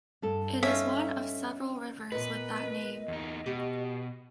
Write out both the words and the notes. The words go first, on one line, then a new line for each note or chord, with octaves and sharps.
It is one of several rivers with that name.
G2 A4
C#4 D#4 F4 E5
A#2 B3 B4 D#5
E2 D#4
B2 F#4 G4